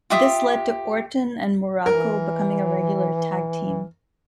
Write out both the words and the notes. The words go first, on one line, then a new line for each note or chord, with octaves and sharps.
This led to Orton and Muraco becoming a regular tag team.
F4 G4 E5 D#6
E3 A#4